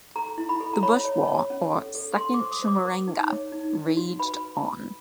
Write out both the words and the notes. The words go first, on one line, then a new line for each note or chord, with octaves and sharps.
The Bush War or "Second Chimurenga" raged on.
A4 A#5
E4
B5
A4
A#5
C#5 B5
C#5
C#5
C#4
A4
A4
A4 C6
D6
C5
D#6
C5
D6
A#4
D#4
C#5
D#4
D#4
F#4
B4 B5